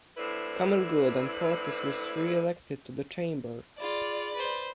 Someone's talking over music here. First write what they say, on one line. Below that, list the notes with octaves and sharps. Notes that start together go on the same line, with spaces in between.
Common Good and Portas was re-elected to the Chamber.
A2 D3 C4 E4 B4
F4 G#4 D5 B5
B4 C5